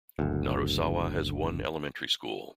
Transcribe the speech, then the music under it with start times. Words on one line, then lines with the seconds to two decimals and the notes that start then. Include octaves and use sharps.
Narusawa has one elementary school.
0.19 F#1 D2